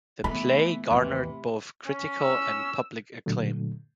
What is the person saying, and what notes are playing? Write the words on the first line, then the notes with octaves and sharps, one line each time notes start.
The play garnered both critical and public acclaim.
E3 A3 B3 B5
D#2 G#2 C3 E3
C#4
E6
A#2 D3 F#3 A3